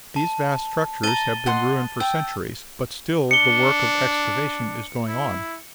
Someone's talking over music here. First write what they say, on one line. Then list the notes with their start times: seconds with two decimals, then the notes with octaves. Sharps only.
These vast structures have been ruined for centuries, but still the work of excavation is going on.
0.16 A5
1.03 A5 A#5 A6 D#7 G7
1.46 D#5 F#5 C6
2.00 G5 E6
3.31 D4 C#7 G7
5.08 E4